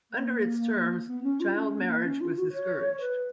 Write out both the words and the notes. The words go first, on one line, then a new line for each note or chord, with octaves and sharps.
Under its terms child marriage was discouraged.
A#3
B3
C#4
F4
C#4
A#3
C#4
F4
F#4
C#5
B4